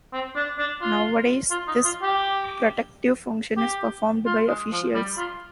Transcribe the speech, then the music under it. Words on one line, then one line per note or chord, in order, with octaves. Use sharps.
Nowadays, this "protective" function is performed by officials.
C4
D4
D4
F4
F4
D#4
F4
G4
G4
F4
G#3
F3
G3
F4